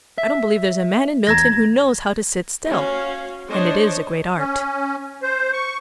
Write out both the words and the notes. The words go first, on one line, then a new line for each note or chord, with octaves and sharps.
I don't believe there's a man in Milton who knows how to sit still; and it is a great art.'
E5
E2 A#5 G#6 A#6
C#4 F#4 F5
D4 C5 C#5 D#5
C#4
C5
C#6